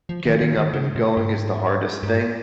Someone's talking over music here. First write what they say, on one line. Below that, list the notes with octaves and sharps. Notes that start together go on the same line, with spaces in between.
getting up and going is the hardest thing,
F3
D#3
D#3
D#3
C#3
A#2
G#2
G#2